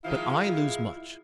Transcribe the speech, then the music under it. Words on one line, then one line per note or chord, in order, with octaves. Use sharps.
But I lose much.
D#3 F3 G#3 E4 F4 F5